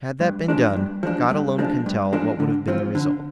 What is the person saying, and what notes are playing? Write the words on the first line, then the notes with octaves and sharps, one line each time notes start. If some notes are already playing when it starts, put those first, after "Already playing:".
Had that been done God alone can tell what would have been the result.
G2
F3 G#3 D4
G2
F3 G#3 D4
G2
F3 G#3 D4
G2
F3 G#3 D4
D3
F3 C4 F4
D3